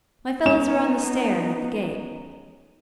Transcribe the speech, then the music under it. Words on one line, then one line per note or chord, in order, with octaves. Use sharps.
'My fellows are on the stair and at the gate.
B3 C#4 D#4 E7